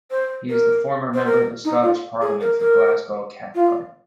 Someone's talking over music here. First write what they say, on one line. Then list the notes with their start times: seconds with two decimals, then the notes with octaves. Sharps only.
He is the former Member of the Scottish Parliament for Glasgow Cathcart.
0.11 C5
0.50 A#4
1.14 C5
1.26 A#4
1.64 D#4
1.83 F4
2.21 G#4
2.41 A#4
2.60 A#4
3.55 F4